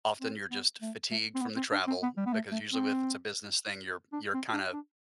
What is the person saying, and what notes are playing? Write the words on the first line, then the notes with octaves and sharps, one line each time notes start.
often you're just fatigued from the travel, because usually with it's a business thing, you're you're kinda
C4
B3
A3
A3
C4
B3
C4
D4
C4
B3
G3
B3
A3
A3
C4
D4
C4
D4
D4